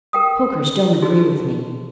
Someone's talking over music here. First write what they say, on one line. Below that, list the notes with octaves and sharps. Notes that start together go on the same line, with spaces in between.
Pokers don't agree with me.
A#4 G5 D#6
D#4 F#4 G#4